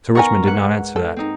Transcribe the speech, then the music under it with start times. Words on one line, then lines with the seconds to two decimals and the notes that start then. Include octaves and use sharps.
Sir Richmond did not answer that....
0.15 D#3 B3 A#4 G#5 A#5 C#6
0.43 G#2 B4 F#5
0.96 A4
1.16 C4 D#4